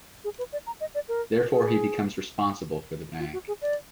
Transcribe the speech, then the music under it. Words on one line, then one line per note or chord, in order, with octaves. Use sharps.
Therefore, he becomes responsible for the bank.
G#4
B4
D5
A#5
D#5
D5
A#4
G#4
F4
F#4
G#4
D5